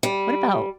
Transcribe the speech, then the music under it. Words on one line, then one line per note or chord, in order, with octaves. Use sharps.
what about,
G3